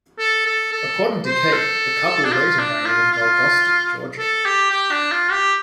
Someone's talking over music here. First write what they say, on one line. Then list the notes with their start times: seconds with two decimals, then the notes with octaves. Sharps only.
According to Kate, the couple later married in Valdosta, Georgia.
0.19 A4
0.46 A4
0.72 A4
1.25 C5
1.52 A4
2.25 D4
2.32 F4
2.59 D4
2.85 F4
3.11 F4
4.18 A4
4.45 G4
4.71 G4
4.91 D4
5.11 F4
5.31 G4